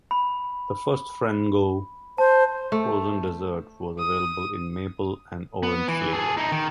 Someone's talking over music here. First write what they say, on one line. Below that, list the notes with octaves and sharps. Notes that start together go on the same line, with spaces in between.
The first Frango frozen dessert was available in maple and orange flavors.
B5
C5 A5
A3
D#6
B3
E3
G#4 A4
D#4 E4
D#3